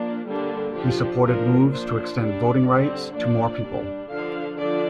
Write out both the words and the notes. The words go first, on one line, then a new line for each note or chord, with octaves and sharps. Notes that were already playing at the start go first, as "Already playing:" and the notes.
He supported moves to extend voting rights to more people.
Already playing: F3 A#3 D4
D3 G3 A#3 D4
F3 D4 G4
F3 A#3 D4 A#4
F3 A#3 D4 C5
G3 D4 D5
D3 G3 C4
F3 A#3 D4 D5
G3 D4
D3 F3 D4 F5
D3 F3 D4 D5